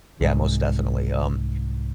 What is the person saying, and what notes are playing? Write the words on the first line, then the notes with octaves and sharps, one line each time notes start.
yeah, most definitely, um
C2 G#2